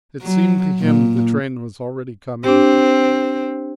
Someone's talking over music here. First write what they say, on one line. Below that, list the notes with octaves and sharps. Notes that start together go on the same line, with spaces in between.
It seemed to him the train was already coming.
F#3
A#2
C4 D4 G4